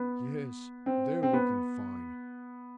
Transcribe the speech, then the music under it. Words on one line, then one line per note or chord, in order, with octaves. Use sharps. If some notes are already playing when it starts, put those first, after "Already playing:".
Yes, they're working fine.
Already playing: B3
C4
C4
B3